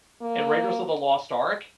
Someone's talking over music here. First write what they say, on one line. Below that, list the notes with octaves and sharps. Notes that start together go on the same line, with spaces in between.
In Raiders of the Lost Ark,
A#3